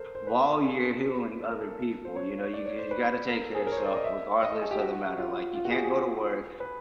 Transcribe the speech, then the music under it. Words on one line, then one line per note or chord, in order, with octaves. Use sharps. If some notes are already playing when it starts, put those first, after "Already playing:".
while you're healing other people, you know? You you gotta take care of yourself regardless of the matter. Like, you can't go to work
Already playing: A4 A#4 C5
C5
B4
A#4
A4
G#4
A4
A#4
A4
C5
C#5
C#5
D5
C#5
C5
B4
A#4
A4
G#4
A#4
C#5
C5
D5
D#5
E5
D#5
A4
G#4
G4
F#4
F#4
G4
F4
F4
F#4
G#4
G4
G#4
B4